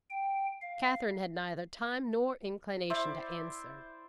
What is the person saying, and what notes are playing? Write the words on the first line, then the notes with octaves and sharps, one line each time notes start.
Catherine had neither time nor inclination to answer.
G5
F5
E4 C5 D5 E5